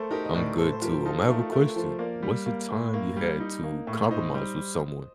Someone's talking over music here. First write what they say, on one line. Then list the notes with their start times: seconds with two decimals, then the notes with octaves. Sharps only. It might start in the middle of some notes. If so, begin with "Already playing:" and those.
I'm good too, um, I have a question. What's a time you had to compromise with someone?
Already playing: A3 A4 A#4 C5
0.11 D#4 G4 A#4
0.25 D#5
0.34 A2 A#4 D5
0.58 A2 A4 C5
0.72 C5
0.82 F3 G4 A#4
1.05 D#4 F4 A4
1.22 A#4
1.29 A3 F4 A4
1.41 A4
1.52 A3 G4 A#4
1.76 F3 A4 C5
1.99 A#3 A#4 D5
2.22 G3
2.46 A#3
2.70 A2
2.94 A#3
3.17 G3
3.40 D#4
3.64 A#3
3.87 A2
4.11 D#4 C5 D#5
4.34 G3